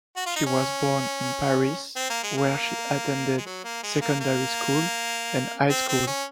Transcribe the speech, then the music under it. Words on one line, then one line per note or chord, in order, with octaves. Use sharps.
She was born in Paris, where she attended secondary school and high school.
F#4
F4
D#4
C#4
C4
A#3
G#3
A#3
G#3
F#3
A#3
G#3
A#3
A#3
C4
C4
C#4